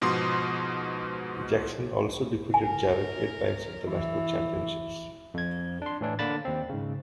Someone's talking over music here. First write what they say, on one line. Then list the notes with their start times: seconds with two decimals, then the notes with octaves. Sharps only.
Jackson also defeated Jarrett eight times at the national championships.
0.02 G#2 B2 F3 C6 D#6
2.54 A#4 G#5
3.87 E3 E4
5.34 F2 G#6
5.82 D4 C6
6.01 A2 E3 D4
6.19 D3 A#3 D4 A5 B5 A6
6.45 D#2 C4
6.69 G#2 C#3